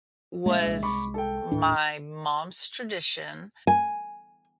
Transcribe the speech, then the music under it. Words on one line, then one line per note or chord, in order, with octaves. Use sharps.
was my mom's tradition,
A#1 G#3 A#3 E5
C2 G#3
B5 C#6 D6
A4 G5
D#1 A2 D4
G#5